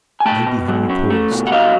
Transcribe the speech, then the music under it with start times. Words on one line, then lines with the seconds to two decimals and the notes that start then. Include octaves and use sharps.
Lady Henry paused.
0.20 G#5
0.25 A3 G5 A5
0.46 B2
0.68 F#3
0.89 C#4
1.10 A3
1.31 B2
1.47 F#5
1.52 F#3 D#5 F5